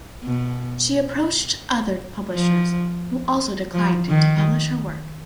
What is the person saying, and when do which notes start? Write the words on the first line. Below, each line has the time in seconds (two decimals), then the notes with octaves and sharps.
She approached other publishers, who also declined to publish her work.
0.24 B2
2.34 F3
3.74 F3
4.09 D#3